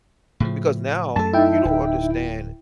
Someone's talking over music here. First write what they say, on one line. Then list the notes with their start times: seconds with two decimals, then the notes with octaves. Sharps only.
Because now you don't understand
0.40 A2 C#3 F3
1.16 F#2 A3 A4 A5
1.33 D#4 E4 E5 G5
1.65 D1